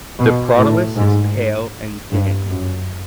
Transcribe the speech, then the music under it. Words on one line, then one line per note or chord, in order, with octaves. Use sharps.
The prothallus is pale and thin.
B2
A2
G#2
G2
F#2